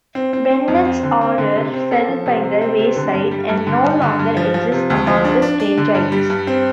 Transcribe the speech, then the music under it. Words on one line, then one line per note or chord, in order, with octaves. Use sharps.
Bennett's "order" fell by the wayside and no longer exists among the Strangites.
C4
C4
C4
F2
C4
D3
C4
D3
C3
C4
A4
F3
C3
C3
C4
C3
D3
G2
G3
G2
D3
G2
D3
G2
F3
F3
C3
D2
F3
D4
D4
D4
D3
G2
G3
G2
C4